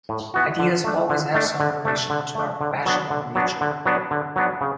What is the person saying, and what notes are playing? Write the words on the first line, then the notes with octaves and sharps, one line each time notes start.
Ideas always have some relation to our passional nature.
A2
E3 B3 F#4
D3
A3 D4
D3
A3 D4
D3
A3 D4
D3
A3 D4
D3
F#3 B3 D4
D3
F#3 B3 D4
D3
F#3 B3 D4
D3
F#3 B3 D4
C#3